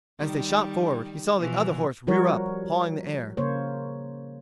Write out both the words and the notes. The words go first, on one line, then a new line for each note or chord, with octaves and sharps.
As they shot forward, he saw the other horse rear up, pawing the air.
D#3 G3
B2 E3 F3
F3 G3 F#4 A#4 C#5
C#3 A#3 C5 C#5